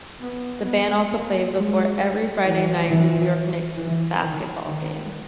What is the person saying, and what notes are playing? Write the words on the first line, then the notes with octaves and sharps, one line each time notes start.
The band also plays before every Friday-night New York Knicks basketball game.
B3
B3
A#3
G#3
E3
E3
E3
D#3
D#3